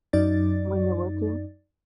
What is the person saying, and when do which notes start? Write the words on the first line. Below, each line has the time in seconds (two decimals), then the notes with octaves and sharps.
When you're working?
0.13 F#2 D#4 D5 A6